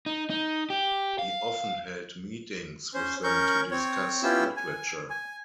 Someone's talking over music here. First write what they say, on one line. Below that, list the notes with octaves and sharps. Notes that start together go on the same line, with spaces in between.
He often held meetings with them to discuss literature.
D#4
D#4
G4
F5
C#4 C5
C#4 A#4 C#6 G6
C4 C#5
B3 C#4 E4 F4 G4 E6
G#5
G#5